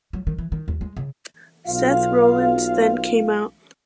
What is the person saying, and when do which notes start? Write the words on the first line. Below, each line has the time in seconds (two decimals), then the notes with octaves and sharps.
Seth Rollins then came out.
0.13 F#3
0.27 D#3
0.38 E3
0.52 D#3
0.68 D#2
0.81 G#3
0.97 C#3
1.67 B1 F4 F5